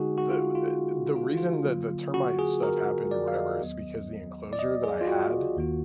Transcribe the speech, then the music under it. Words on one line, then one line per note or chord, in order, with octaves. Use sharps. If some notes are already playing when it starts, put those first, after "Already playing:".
The w the the reason that the termite stuff happened or whatever is because the enclosure that I had
Already playing: D3 G#3 D#4 F#4 G#4
F#4
F4
F4
F4
F4
D3 F#3 A#3 F4
F#4
G#4
A#4
D5
F5
D#5
D#2 D#3 F#3 B3
D5
D#5
G#4
F4
F#4
D#2 D#3 A#3 F4